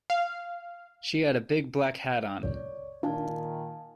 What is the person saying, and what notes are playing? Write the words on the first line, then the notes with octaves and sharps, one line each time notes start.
She had a big black hat on!
F5
C#2 F#2 A#2 C#5 D5
A#2 D#3 D4 D#4 F5 G#5 A5